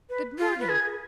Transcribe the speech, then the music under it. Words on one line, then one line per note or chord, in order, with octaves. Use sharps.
'Good morning!
B4
F4
B4
G#4